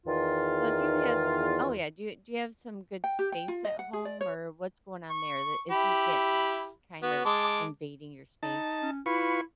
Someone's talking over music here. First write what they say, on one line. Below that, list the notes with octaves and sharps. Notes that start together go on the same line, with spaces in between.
so do you have oh, yeah, do you do you have some good space at home, or what's going on there? The is he getting kind of invading your space?
E2 D#3 F4
G5
G4
G5
F4
D#5
F#5
G#4
D5
C#5
C#6
E4 G4 B5
B3 F#4
G#3 A5 D6
D#4 A5
C#4
E4 F4 B4 C#6